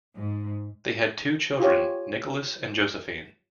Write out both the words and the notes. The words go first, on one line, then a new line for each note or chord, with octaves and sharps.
They have two children, Nicholas and Josephine.
G#2
F4 G4 C#5